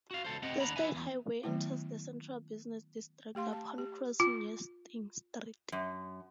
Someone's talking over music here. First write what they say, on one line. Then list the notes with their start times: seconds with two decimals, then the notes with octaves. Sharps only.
The state highway enters the central business district upon crossing Yeasting Street.
0.11 F#4 F5
0.25 C#2 A4 C5
0.43 C4 G4 D#5 F#5
0.60 D#2 D4 F#5 A#5 B5
0.76 E4 F#4 G#4 B4 E5 G#5
0.94 E2
1.43 D#3 F#3 A3 B3 E4
3.35 A3 G4 F5 C6
3.53 A5
3.78 G4
4.20 F4
5.72 F#2